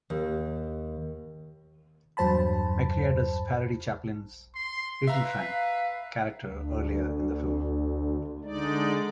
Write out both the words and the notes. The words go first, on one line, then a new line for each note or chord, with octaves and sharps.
McCrea does parody Chaplin's "Little Tramp" character earlier in the film.
D#2
E2 G2 F#3 C5 A5 B5
C6
B4 E5 F5 A#5
D2
D3 G#3 D#4 D5